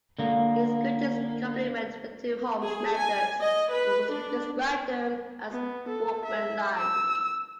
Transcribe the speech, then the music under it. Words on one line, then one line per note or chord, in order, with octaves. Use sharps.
His greatest compliment to Holmes' methods was to describe them as "workmanlike".
D3 A#3
G#4
G#5
D#5
B4
D4
B3
A4
E5
E6